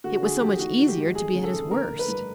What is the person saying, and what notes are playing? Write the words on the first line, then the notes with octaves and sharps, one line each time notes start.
It was so much easier to be at his worst.
D3 F#4
D3 G#4
F2 G4
D#3 F#4
D#3
G4
G#2
F2 G#4
C#3
A4
F2
D3 A#4
D3
B4
G2